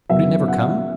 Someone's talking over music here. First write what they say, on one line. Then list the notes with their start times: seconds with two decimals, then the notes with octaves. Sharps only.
Would it never come!
0.09 F#2 C#3 F#3 B3 E5
0.48 F#5